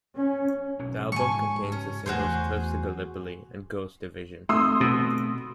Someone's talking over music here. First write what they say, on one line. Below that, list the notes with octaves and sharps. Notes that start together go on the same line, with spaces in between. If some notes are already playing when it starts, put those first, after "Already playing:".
The album contains the singles "Cliffs of Gallipoli" and "Ghost Division".
C#4
B1 C#4
G#2 C#3 G#3 G#5 C#6
C#4
E2 A3 F#4 G#4 C5
A3 C4 C6 D#6 E6
B2